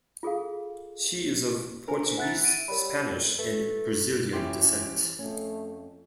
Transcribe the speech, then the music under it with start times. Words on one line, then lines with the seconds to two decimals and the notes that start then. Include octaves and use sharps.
She is of Portuguese, Spanish, and Brazilian descent.
0.23 F4 G#4 A4 F5
1.88 D4 A#4 C5 G#5
2.18 E4 F#5 F#6 A6
2.44 A6 D7 D#7
2.68 G3 A#4 C#5 B5
3.38 A3 B4
4.33 E3 C#4 E4 G4 C6
5.19 F2 A3 C#4